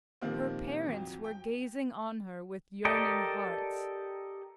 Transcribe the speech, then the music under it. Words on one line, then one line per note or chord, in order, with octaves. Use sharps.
Her parents were gazing on her with yearning hearts.
A#2 D#3 F3 G3 A#3 C4
F2 F#3
G5
G4 A4 A#4 D5 D#5